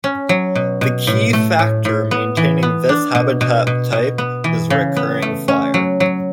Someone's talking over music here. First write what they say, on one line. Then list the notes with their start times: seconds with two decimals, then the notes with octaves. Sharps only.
The key factor maintaining this habitat type is recurring fire.
0.04 C#4
0.29 F#3
0.55 B2
0.81 B2
1.07 A2
1.33 A3
1.59 A2
1.85 A2
2.11 B3
2.37 E3
2.63 B3
2.89 D4
3.15 B2
3.41 B2
3.67 B2
3.92 B2
4.18 B3
4.44 E3
4.70 C#3
4.96 B3
5.22 A3
5.48 C#4
5.74 F#3
6.00 F#3